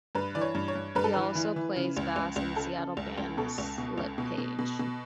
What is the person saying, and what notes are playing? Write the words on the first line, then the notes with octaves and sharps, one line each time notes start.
He also plays bass in Seattle band, Slippage.
G2 B4
E3 D5
C#5
G2
C#5
G2
G2 B4
A4
E3 B4
E3
E3
C#3
C#2
C#2
C#2
C#3 A4
C#3
C#2
C#2
B2 A4
C#2
B2
C#2
B2
B2
B2
B2